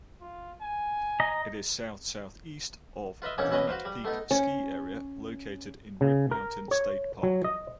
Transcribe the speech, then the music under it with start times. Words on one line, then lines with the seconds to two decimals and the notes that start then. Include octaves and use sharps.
It is south-southeast of Granite Peak Ski Area, located in Rib Mountain State Park.
0.21 F4
0.62 G#5
1.20 D#5 A#5
3.22 F4 B4 D#5 E5
3.38 A#1 E3 A#3 B3 C#4 D#4
3.51 E3 C#4 F#4 B4 D#5
3.68 F#4 B4 C5 F5
3.85 G3
4.04 A3 B3 D#4
4.31 C#4
6.01 C#3
6.31 A#4
6.71 C#5
7.23 F#3
7.44 D#5